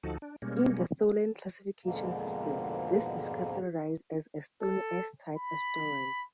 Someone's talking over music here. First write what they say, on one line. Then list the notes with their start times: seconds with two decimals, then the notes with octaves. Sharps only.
In the Tholen classification system, this is categorized as a stony S-type asteroid.
0.03 D2 F3 D#4 F#4 A4
0.22 D4
0.42 B2 G3 G#3 A#3 C#4
1.85 F2 G#2 B2 D3 A#3
4.62 A4
5.38 B5